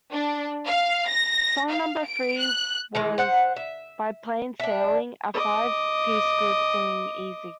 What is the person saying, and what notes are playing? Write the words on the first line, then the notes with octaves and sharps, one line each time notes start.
Song number three was by Plain Sailing, a five-piece group singing "Easy".
D4
F5
A#6
F5
D7
F#6
D#3 E3 G#3
C5 F#5
E5
D4 E5
D#5 D6